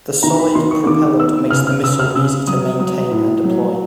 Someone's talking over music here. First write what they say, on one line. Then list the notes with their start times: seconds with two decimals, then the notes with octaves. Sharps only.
The solid propellant makes the missile easy to maintain and deploy.
0.23 D#3 A#5
0.39 B5
0.55 D#3 C6
0.71 C#6
0.86 D#3 D6
1.19 B3 E6
1.51 C#3 F6
1.67 F6
1.83 C#3 E6
2.00 F6
2.15 C#3 E6
2.47 F#3 D#6
2.79 F#3 D#6
3.11 A2
3.44 F#3